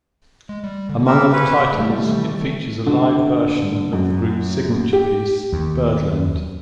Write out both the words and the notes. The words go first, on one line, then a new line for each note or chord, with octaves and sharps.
Among other titles, it features a live version of the group's signature piece "Birdland".
G#3
G3
D3
G3 A#4 E5
C#4 B4
D#2 B2 E3 G3 A3
D3
F#2
G4
D#2